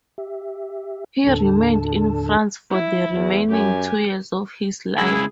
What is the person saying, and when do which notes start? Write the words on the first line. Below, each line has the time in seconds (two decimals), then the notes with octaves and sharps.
He remained in France for the remaining two years of his life.
0.18 G4 E5
1.27 D#2 A2 D3 D4 A4 A5
2.70 E4
3.14 E2
3.49 F#2 G4 G#5
4.98 C#2 E4 G#4